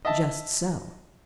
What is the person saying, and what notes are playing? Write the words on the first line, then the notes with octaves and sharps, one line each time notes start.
"Just so."
D#5 E5 A5